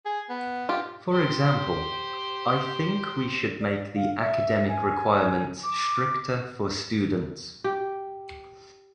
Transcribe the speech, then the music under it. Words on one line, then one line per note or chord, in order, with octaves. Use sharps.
For example, I think we should make the academic requirements stricter for students.
G#4
B3
F4 G4
G4 C5
D5
F5
E5
G#5
D6
G4